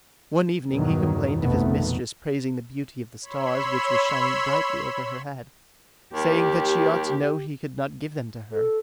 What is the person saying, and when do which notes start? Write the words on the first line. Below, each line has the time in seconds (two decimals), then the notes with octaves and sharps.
One evening he complained of his mistress praising the beauty of the stars which were shining brightly over her head, saying that she ought to know he could not give them to her.
0.71 E2 G2 B2 D#3 F#3
1.36 F1 A#1 B2 D#3 A3 B3
3.22 C#5 B5 C6 E6
6.14 D#2 G4
8.52 A4